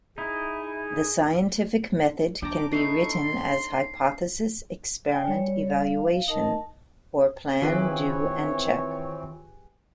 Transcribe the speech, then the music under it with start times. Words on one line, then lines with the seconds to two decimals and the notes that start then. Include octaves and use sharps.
The scientific method can be written as "hypothesis"-"experiment"-"evaluation" or plan, do and check.
0.18 D#4 E4 G#4
2.42 D4 G5 A5 A#5 D6
2.73 A3 B3 D#4 C#6 C7
3.12 C6
5.12 D5 G5 G#5
5.28 G3 C#5
5.70 F5
6.28 D#4 A#4 D#5 A5
7.62 D#3 E3 C4 F4 G4 G#4 B4 C#5